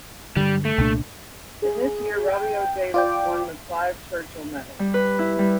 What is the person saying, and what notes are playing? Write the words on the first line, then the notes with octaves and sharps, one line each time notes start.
In this year Robbie O'Davis won the Clive Churchill Medal.
G2 D3 G3
A3
C2 A#2 D4
G#4
G5
F4 D5 G5 D6
G3
B4
E4
G3